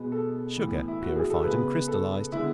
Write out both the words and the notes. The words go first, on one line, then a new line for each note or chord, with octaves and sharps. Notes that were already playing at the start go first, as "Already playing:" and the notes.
Sugar purified and crystallized.
Already playing: B2 G#3 B3
A4
A2 E3 B3
E4
F#4
G#4
A4
C#3 G#3 B3 B4
A4
D3 G#3 B3 E4